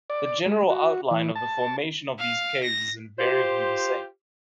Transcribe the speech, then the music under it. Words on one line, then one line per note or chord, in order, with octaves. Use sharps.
The general outline of the formation of these caves is invariably the same.
D5
G#3
F#4
E3
A5
F5
A#6
F4 G4 C5